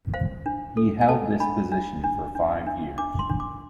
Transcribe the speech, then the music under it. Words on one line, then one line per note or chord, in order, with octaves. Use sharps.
He held this position for five years.
C5 F5
D4
A4
G#5
A4 A5
D4 B5
D4
D4
D4
D4
D4 D6
C6
D4
D6